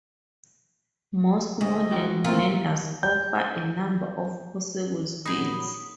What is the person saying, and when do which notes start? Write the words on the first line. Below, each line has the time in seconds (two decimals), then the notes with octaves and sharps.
Most modern blenders offer a number of possible speeds.
1.61 D2 D#5
1.90 G#3 F#4 G5
2.25 A#2 A3 C4 F4 A#4
3.03 G6
5.26 A#2 F#3 D#4 G#4 B5 D#6